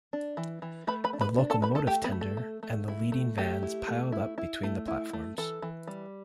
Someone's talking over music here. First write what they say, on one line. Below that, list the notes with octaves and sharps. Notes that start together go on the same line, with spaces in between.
The locomotive tender and the leading vans piled up between the platforms.
D4
E3
E3
A3 B4 B5
B4 B5
D4
B4 B5
D4
A4 A5
A3 B4 B5
A4 A5
A3 G4 G5
B3 B4
A3
A4
A3
A3
E4
A3
A3 G4
E4
A3
E4
E4
A3
E4
A3
E3 A4
E3
G3